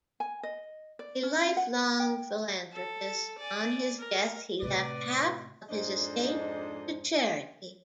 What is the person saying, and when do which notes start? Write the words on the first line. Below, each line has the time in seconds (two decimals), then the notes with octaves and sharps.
A lifelong philanthropist, on his death he left half of his estate to charity.
0.20 G#5
0.43 D#5
0.99 D5
1.23 C#4
1.57 F#5
2.00 G5
2.72 A4
3.38 D5 G#5
3.98 A#4
4.62 A2 C3 B4 D5
5.70 F2 G#2 D4 D#4 C5 D#5